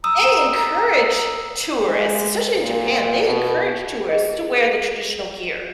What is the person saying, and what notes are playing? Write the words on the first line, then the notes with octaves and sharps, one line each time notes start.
they encourage tourists, especially in Japan, they encourage tourists to wear the traditional gear,
A#5 D#6 E6
G#3
A#2
B2
G#4 D#5